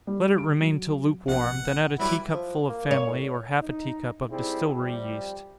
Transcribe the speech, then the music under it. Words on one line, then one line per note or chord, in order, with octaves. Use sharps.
Let it remain till lukewarm, then add a tea-cup full of family, or half a tea-cup of distillery yeast.
G3
D7
F#3
A#1 B2 F#5
F#3 G3 E4 B4 D6
F3
A#3
C#5
A2
D#4
G3 C4 E4 G#4
C3 F3 G3